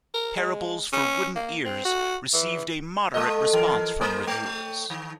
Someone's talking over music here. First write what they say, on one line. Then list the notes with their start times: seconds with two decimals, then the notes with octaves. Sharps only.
"Parables for Wooden Ears" received a moderate response from reviewers.
0.14 A#4
0.36 G#3
0.93 C#4
1.36 A#3
1.65 C4
1.85 F#4
2.33 E3
3.14 G#3 A4 D#5
3.53 E3 A#4
4.01 A#3 A#4 C5
4.27 A3
4.90 D#3